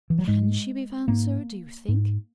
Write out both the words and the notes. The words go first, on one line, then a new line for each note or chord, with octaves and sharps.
"Can she be found, sir, do you think?"
E3
F#3
G#2 G#3
G#2 A#3
G#2